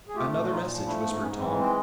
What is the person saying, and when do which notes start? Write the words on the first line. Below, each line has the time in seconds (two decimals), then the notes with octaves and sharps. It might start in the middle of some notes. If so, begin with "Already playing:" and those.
"Another message," whispered Tom.
0.08 G#4
0.15 A3 F4 G4
0.33 A#2
0.43 F#4
0.51 A#2 D#4 F4
0.69 F3
0.86 A3 D4 E4
1.04 G#2 B3
1.22 G#2 B3 C#4
1.39 E3 C4
1.57 G#3 C4